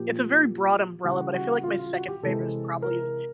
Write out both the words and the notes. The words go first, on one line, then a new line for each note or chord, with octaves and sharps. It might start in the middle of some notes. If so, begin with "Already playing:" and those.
it's a very broad umbrella, but I feel like my second favorite is probably,
Already playing: A#2 F3 A#3 G4
C#3 E3 G3 F#4
F#4
F4
F4
F#4
G4
C3 E3 G#3 C4 A4
A#4